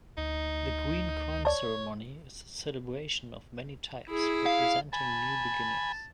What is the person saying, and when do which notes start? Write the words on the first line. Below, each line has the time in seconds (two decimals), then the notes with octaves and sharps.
The Green Corn Ceremony is a celebration of many types, representing new beginnings.
0.17 D2 D#4
1.45 C#5 D5 A5
4.10 E4 G#4
4.46 F5
4.93 G#5 A5 B5